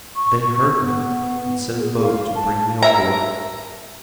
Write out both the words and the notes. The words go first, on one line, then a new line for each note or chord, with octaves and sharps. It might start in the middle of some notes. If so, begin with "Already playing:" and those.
They heard me, and sent a boat to bring me on board.
C#6
B3
G#4
F5
A5
A#4 E5 A#5